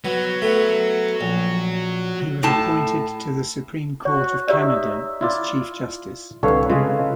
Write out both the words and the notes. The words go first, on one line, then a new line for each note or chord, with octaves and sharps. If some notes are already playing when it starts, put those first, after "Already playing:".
He was appointed to the Supreme Court of Canada as Chief Justice.
F#3 B3
A3 B3
A#1
A2 A5
F#4 C#5
D#4 G4 C#5 D5 E5
E4 F4 D5
C2 D3 A4 B4 C#5 F5
C#3 G#3 F4 G#4